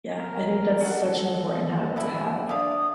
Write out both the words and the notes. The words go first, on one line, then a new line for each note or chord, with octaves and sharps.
Yeah, I think that's such an important habit to have.
A#4
C#4 F#4 A4 F#5
F#3 G3 E4
D3 D5 E5 F5 D#6